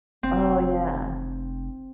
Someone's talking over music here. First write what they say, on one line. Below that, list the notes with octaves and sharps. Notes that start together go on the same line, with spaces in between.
Oh, yeah.
F1 C4